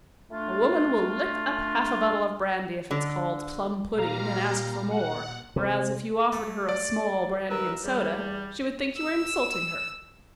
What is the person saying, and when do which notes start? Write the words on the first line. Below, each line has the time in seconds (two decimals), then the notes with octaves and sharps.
"A woman will lick up half a bottle of brandy if it's called plum-pudding, and ask for more, whereas if you offered her a small brandy-and-soda, she would think you were insulting her."
0.31 A3 D4 F4
2.91 D3
3.96 A#2 G3 F5 A#5
4.91 F#5
5.56 C3
6.33 A3
6.69 D5
7.49 D#2 A#4 B4 E6
7.83 E2 G3
8.97 E6